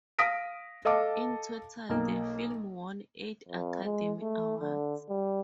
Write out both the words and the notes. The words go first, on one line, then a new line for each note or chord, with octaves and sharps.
In total, the film won eight Academy Awards.
F5 D#6 A#6 B6 D7
A4 D#5 F5 A5 D6
B1 A#3
F2
G#3
A3
D3
G3